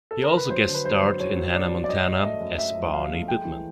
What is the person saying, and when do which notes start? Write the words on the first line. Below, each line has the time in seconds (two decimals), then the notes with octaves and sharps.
He also guest-starred in "Hannah Montana" as Barny Bittmen.
0.11 A4
0.24 A#4
0.37 B4
0.50 F#3 C5
0.68 D3
0.75 B4
0.85 F#2 C5
1.02 F#3
1.19 F#2 C#5
1.36 F#3
1.54 F#3 D5
1.72 F#2
1.84 D5
1.89 F#2 D#5
2.07 F#2
2.16 E5
2.23 A3 D#5
2.41 F#2
2.59 A3 E5
2.76 F3
2.93 F3 F5
3.11 A3
3.28 G#3 G5
3.45 E3